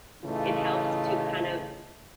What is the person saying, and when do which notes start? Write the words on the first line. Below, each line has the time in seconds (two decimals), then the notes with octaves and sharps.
it helps to kind of
0.24 A2 C#3 E3 A3 D#4 F4